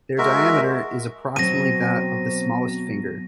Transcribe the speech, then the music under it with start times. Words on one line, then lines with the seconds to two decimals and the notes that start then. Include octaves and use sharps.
Their diameter is approximately that of the smallest finger.
0.18 G#3 F#4 A#4 E5
1.36 B2 F#3 C4 A#6 D#7